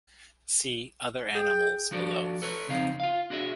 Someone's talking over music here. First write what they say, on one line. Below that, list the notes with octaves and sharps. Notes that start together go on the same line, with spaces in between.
See "Other animals" below.
G#4 G5
F3 D4 F#4 A4 D5
A4 B4 C#5
F2 C#3 C4 D#4 F5
F4 F5
D4 F#4 G#4 D5 E5